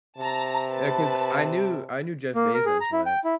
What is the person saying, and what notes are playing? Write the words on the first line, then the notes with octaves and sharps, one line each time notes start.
Yeah, 'cause I knew I knew Jeff Bezos went.
C3 A5 A#5
B4 A5
A#3
A#4
G#4
A#5
E4
G5
E4